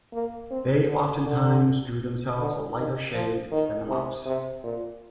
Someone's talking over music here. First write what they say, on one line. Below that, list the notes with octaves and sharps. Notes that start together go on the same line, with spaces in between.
They oftentimes drew themselves a lighter shade than the mouse.
A#3
C4
D3
D3
D3
D#3
F3
D#3
C3
C3
A#2